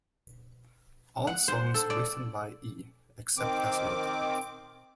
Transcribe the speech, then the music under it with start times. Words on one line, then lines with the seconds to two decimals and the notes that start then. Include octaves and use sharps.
All songs written by E, except as noted.
1.27 F#5
1.48 C5
1.74 A4
1.90 D5
3.38 D#3 C4 D6